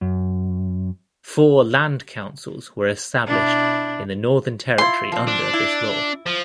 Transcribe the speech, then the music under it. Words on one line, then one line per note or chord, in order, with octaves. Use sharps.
Four Land Councils were established in the Northern Territory under this law.
F#2
B2 D4 E4
E4 F4 C6
F3 C4
D4
E4
F3